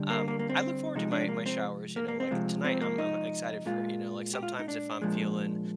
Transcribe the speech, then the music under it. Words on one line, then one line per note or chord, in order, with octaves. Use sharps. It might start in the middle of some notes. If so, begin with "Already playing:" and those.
Um, I look forward to my my showers, you know? Like, tonight, I'm I'm excited for it, you know? Like, sometimes if I'm feeling,
Already playing: D3 G3
A#3
A#3
A#3
C4
C3 F3 G#3 D#4
D4
A#3
C4
A#3
A#3
C4
C3 F3 G#3
C4
A#3
D#4
A#2 G#3 F4
G4
F4
D#4
D4
A#2 F3 G#3